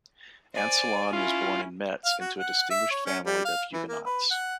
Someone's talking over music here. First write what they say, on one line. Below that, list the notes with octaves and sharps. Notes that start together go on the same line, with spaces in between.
Ancillon was born in Metz into a distinguished family of Huguenots.
C5 D5 G#5
C#4 E4 F4
F5
F#4
F#5
E5
C#5
C#4
G3
F5
E3
A#3
B4
F#5